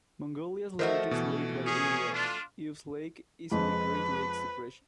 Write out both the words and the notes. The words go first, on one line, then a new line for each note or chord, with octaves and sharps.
Mongolia's largest lake by area, Uvs Lake is in the Great Lakes Depression.
F3 A3 F#4 A#4 C5 D#5
B2 E3
C#4 G#4
D4 F4
F2 G#3 B4